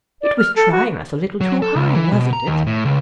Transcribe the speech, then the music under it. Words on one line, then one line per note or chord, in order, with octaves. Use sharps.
It was trying us a little too high, wasn't it?
D5
F6
A4
F#4
F#3
A4
C#2
E3
B2
A#5
D#2
A2
C#2